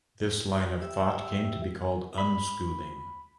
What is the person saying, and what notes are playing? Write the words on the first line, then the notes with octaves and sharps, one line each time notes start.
This line of thought came to be called unschooling.
G4 E5
B5